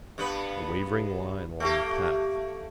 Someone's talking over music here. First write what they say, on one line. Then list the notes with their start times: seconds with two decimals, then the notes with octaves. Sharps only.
A wavering line along the path.
0.18 G2 B3 B4
1.60 A3 A#3 G4